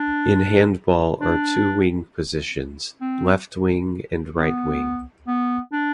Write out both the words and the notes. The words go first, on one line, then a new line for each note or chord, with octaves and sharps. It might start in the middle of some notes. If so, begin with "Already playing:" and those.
In Handball are two wing positions: left wing and right wing.
Already playing: D4
D4
C4
B3
B3
D4